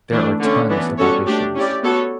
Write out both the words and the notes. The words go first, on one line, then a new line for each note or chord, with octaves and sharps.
There are tons of auditions.
E3 A3 D4
D3 A3 C#4
E3 B3 D4
G3 C#4 F#4 A4 C#5
A3 D4 G4 D5
C#4 E4 G4 D5
B3 F#4 A4 C#5